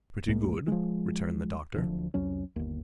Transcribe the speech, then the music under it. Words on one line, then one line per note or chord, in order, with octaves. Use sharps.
"Pretty good," returned the Doctor.
C2 A2 G#3 A#3
F3 G#3
D1 D2 F3
C2 F2 F#3 C#4
G1 D#2